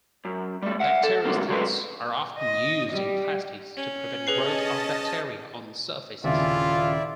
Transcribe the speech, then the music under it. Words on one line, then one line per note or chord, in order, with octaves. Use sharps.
Bacteriostats are often used in plastics to prevent growth of bacteria on surfaces.
F#2
G3 A3
E5 F#5
A4
G#2 B2 D3 F#3 G3 A#3
F#3 G#3 A3 B4
D#5
G3
C#4
G#4 B4 D#5 A5 C7
D#1 C#3 E4 F4 D5 E5